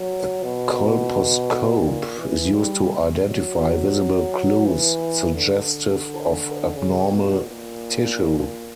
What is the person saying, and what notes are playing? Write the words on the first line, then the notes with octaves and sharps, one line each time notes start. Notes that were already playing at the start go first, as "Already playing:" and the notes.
A colposcope is used to identify visible clues suggestive of abnormal tissue.
Already playing: F#3
B2
A#2
E3
G3
F#3
E3
D3
C#3
B2
A#2